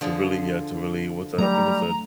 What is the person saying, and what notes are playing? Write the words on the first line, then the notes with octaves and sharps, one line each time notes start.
To really, uh, to really, what's that, I think it said
D3 F3 G#4
F#3 G3 A3 A#5